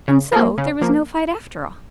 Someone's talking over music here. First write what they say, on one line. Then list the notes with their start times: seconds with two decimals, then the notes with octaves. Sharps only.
And so there was no fight after all!
0.08 C#3
0.32 F3 A#3
0.58 C#3
0.81 F3 A#3